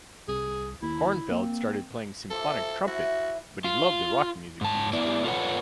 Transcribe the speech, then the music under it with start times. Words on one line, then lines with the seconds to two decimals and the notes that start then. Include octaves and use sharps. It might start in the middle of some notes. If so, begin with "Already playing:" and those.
Kornfeld started playing symphonic trumpet but he loved the rock music he was hearing.
0.28 C2 G#4
0.82 D#2 E4
1.31 A#3 C4
2.31 F3 A4 E5 D6
2.87 E4 F#4
3.64 F4
4.61 G#2 A5
4.93 B3 E4 D5
5.25 F4 A4 B4 C#5 F#5